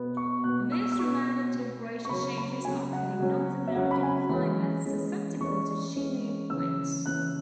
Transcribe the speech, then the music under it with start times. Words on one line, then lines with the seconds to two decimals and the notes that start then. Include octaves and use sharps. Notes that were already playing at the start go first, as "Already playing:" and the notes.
The most dramatic temperature changes occur in North American climates susceptible to Chinook winds.
Already playing: B2 B3
0.17 C#6
0.44 B2 B3 F#6
0.72 E6
0.92 E6
0.99 B2 B3 C#6
1.54 B2 B3
2.05 C#6
2.09 C#3 F#3 C#4 B5
2.38 B5
2.65 C#3 F#3 C#4 G#5
2.93 F#5
3.19 C#3 F#3 C#4
3.67 E5
3.74 C#3 F#3 C#4 F#5
3.91 B5
4.03 G#5
4.29 E3 G#3 C#4 B5
4.85 E3 G#3 C#4
5.40 E3 G#3 C#4 C#6
5.96 E3 G#3 C#4
6.50 C#3 E3 C#4 E6
7.06 C#3 E3 C#4 F#6